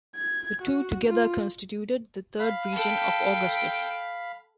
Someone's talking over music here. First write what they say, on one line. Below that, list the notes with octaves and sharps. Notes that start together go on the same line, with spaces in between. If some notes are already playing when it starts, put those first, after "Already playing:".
The two together constituted the third region of Augustus.
G#6
F#4
F4
F5 B5
A4 G5